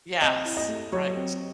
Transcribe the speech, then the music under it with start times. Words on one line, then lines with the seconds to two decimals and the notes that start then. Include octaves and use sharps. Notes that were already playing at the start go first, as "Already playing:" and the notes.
Yes. Right.
0.21 C4 D#5
0.45 E4
0.57 D#5
0.68 A3
0.92 F#3 C#5
1.16 C4